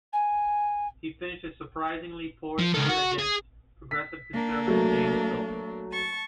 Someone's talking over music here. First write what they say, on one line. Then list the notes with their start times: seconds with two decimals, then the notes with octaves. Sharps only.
He finished a surprisingly poor third against Progressive Conservative James Cowan.
0.13 G#5
2.59 F3
2.74 C#2 A4
2.89 F#4
3.19 G#4
3.91 B6
4.33 A#3 D4
4.67 F#3 A3
5.91 A5 C#6